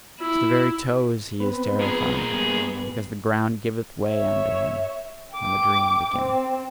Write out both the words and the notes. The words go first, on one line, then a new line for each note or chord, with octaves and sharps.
To the very toes he is terrified, because the ground giveth way under him, and the dream beginneth.
E4
B3 C4 B4
A#2 G#4
G2 B3
C#5 E5
G5 D6
C4